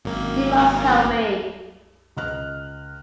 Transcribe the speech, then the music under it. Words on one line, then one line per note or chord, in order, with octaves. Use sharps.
You must help me.
G#1 F#2 A#3
C#2 D#5 F6 F#6